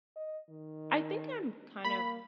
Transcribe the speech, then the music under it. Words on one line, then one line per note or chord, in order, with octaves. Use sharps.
I think I'm, kind of,
D#5
D#3
A#3 B5